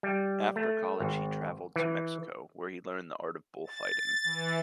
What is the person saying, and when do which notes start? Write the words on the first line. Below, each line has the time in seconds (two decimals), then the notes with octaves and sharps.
After college he traveled to Mexico, where he learned the art of bullfighting.
0.03 G3
0.56 A3
1.00 G#1
1.76 E3
3.64 A6
4.24 E3